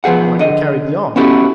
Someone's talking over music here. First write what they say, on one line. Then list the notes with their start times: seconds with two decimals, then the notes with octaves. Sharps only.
Mine would carry beyond.
0.04 B1 F3 B3 G#4 F#5
0.39 D3 D#5
1.16 B3 C#4 E4 F#4 G4 A4